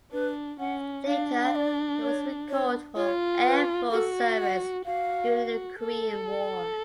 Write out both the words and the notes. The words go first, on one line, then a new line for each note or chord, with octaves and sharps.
Later, he was recalled for Air Force service during the Korean War.
D4 B4
C#4 F#5
D4 F5
F5
D5
C#5
C#5
F4 C#5
B4
F#4 A4
F#5
F#4 F5
A4